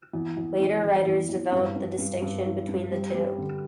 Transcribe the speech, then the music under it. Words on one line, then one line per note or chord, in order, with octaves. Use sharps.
Later writers developed the distinction between the two.
E2
E2
E3
E3
E2
E2
G2
G2
G2
G2
E4
G2
G3
G3
D3